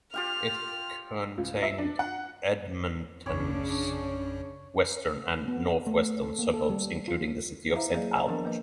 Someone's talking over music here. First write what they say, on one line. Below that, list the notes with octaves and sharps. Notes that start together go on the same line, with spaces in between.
It contained Edmonton's western and northwestern suburbs, including the city of Saint Albert.
F4 G4 F5 F6
C#2
E5
D4
F#5
A#1 F#2 C#3 C#4 D4 C#5 B5 D6
B3
A3
A4
A#3
A4
G3
F4
E4 C5 E5 F5 A#5
F#3 A#3 G#4 D5 D#5 F5
C5 D5 D#5 F5 A5 A#5
D#3 F3 B3 D4 A#4 D#5
F3 A#3 B4 D#5